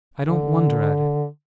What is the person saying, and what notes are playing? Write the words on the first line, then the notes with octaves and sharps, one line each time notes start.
I don't wonder at it.
D3